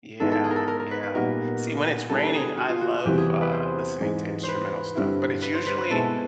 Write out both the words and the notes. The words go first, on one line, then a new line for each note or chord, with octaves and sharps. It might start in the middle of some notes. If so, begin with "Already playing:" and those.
Yeah, yeah. See, when it's raining, I love, uh, listening to instrumental stuff. But it's usually
G#2 D#3 G#3 B3 E4 A4
A4
G#4
A#4
A4
A#4
A#4
B4
B4
A#2 G3 B3 D#4 F#4 A#4
D3 G3 B3 E4 A4
G#4
F#4
F4
F#4
F#4
E2 C3 E3 G3 C4 G4
G#4
B4
C5
G#2 E3 G#3 C4
B4 C5
G2 D3 G3 C4 E4
B4
C5
B4
B4
B2 G#3 C4 E4 A4